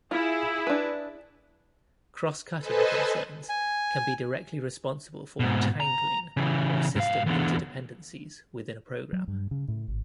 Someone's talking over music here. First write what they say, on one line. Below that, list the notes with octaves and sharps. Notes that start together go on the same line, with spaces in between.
Cross-cutting concerns can be directly responsible for "tangling", or system inter-dependencies, within a program.
E4 F4 G#4
D4 B4
A4 B4 C5 D#5 G#5 A5
G#5
G#2 B2
A#5
C#3 E3
G#2 F5
E2 D3
F#3
G2
C#3
A2
G#1